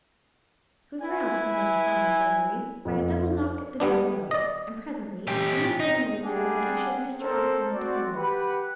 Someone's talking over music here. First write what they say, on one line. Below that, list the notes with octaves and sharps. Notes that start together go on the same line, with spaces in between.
She was aroused from her despondent reverie by a double knock at the door below, and presently the neat little maid-servant ushered Mr. Austin into the room.
E4 B4 G#5
F2
G3 B3 D4
D5 D#5
C#4 G4
D#4
G3 D4 G4 G#4 F#5 G5
C4 A4 A#4 C5
C4 F#4 D5
G4 B4 F#5 B5